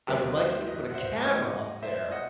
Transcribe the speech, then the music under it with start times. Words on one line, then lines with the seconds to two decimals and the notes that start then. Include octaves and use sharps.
I would like you to put a camera up there,
0.08 D#2 D#3 F#3 G4 B4
0.37 C5 E5
0.67 B4 D#5
0.91 F#5
0.95 C5 E5
1.24 A2 E3 G3 D#5 F#5
1.83 C5 E5
2.11 D#5 F#5